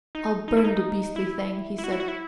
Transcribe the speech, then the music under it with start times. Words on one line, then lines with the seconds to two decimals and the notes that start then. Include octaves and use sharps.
"I'll burn the beastly thing," he said.
0.15 D#4
0.48 D#4
0.57 E4
0.64 D#4
1.16 E4
1.78 E4
1.84 F#4
1.92 E4
2.00 F#4
2.08 E4